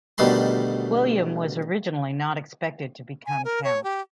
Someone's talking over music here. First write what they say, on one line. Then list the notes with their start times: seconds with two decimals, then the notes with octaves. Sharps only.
William was originally not expected to become count.
0.18 D2 B2 D#3 G3 B5 C6
3.26 G#5
3.45 A#4
3.64 C#5
3.84 G4